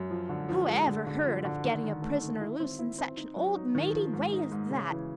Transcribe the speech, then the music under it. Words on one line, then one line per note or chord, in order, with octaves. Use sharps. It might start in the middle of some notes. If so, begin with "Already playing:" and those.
Who ever heard of getting a prisoner loose in such an old-maidy way as that?
Already playing: F#2
F3
D3
F3
G#3
D3
D3
F3
D3
D#3
D#3
A3
D#3
E4
C4
E4
C4
D#4
F#3
D#4
D#3
F3
G#2
D#4
G#2
C#3
E3